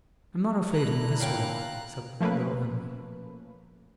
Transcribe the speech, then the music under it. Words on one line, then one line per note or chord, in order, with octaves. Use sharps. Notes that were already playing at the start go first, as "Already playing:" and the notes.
'I'm not afraid in this way,' said little Em'ly.
D4 E4 A#5 F#6
A#2 C#5 F5 G5
F3 A3 A#3 C#4 B4